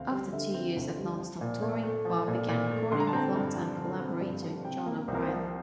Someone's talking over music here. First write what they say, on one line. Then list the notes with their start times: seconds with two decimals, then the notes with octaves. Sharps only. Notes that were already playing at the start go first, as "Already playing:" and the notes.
After two years of nonstop touring, Bob began recording with longtime collaborator John O'Brien.
Already playing: D2 D3 C4 F5
0.11 G3
0.33 D3 E5
0.54 C4
0.77 D2 C5
0.97 G3
1.19 F3
1.41 A#2
1.62 A#2
1.83 A3
2.05 F3
2.28 A#2
2.49 A#2
2.71 A3
2.92 D3 C6
3.00 A#5
3.07 A5
3.13 C4 A#5
3.36 G2
3.57 F3
3.78 D3
3.99 C4
4.21 G2
4.43 F3
4.65 C3 G5
4.86 A#3
5.08 C2 C5
5.15 A#4
5.23 C5
5.29 F3